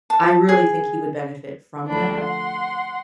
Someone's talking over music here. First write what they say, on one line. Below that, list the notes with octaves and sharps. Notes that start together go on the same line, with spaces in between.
I really think he would benefit from that.
A5
G#4
D2 F3 A3 D4 B5
F#5 C6